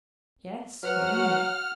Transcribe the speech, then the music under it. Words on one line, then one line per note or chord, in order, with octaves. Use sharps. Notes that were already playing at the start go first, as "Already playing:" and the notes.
"Yes, willingly."
F#3 B4 C5 F#5 F6
F#4 C#6